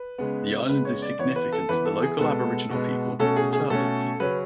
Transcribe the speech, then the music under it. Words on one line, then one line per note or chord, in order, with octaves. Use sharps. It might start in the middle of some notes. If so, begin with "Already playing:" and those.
The island is significant to the local Aboriginal people, the Turrbal people.
Already playing: B4
C#3 G#3 B3
C#3 G#3 B3 B4
C#5
D5
E3 B3 C#5
B4
A4
E3 B3 B4
A4
G#4
B2 G#3 B3 A4
B2 G#3 B3
B2 A3 C#4 A4
G#4
G#4
B2 A3 C#4 A4
C#3 F#3 C#4 B4